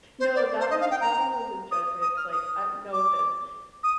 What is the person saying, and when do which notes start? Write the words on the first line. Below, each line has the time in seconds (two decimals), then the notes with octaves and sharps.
No, that one that one was a judgment. Like, uh, no offense.
0.20 C5
0.35 D5
0.60 C5
0.71 D#5
0.80 F5
0.91 G5
1.01 A#5
1.71 D#6
2.02 D#6
2.17 F6
2.32 D#6
2.93 D6
3.83 D#6